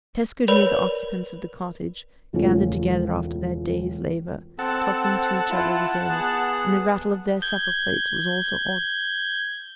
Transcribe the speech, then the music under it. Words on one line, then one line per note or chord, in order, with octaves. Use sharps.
Tess could hear the occupants of the cottage--gathered together after their day's labour--talking to each other within, and the rattle of their supper-plates was also audible.
A#4 B4 C#5 D5 B5
E1 C#2 A3 C#4 F4
C4 A4 F#5 A5
E4 F4
B3 G#4 F#6
G6 G#6